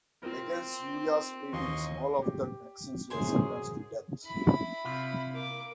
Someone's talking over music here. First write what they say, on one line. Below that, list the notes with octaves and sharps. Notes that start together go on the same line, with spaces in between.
Against Urrea's pleadings, all of the Texians were sentenced to death.
C4 F4 A#4
D#2 E3 D#5 C6 C#6
G4
F#2 G#4 C5 G#5 C6
E4 B5
C3 F4
A#3 D6